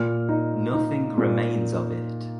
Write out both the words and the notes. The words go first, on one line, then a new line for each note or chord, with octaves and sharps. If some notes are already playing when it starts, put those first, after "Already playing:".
Nothing remains of it.
Already playing: A#2 F6
D#4
D#4
A#2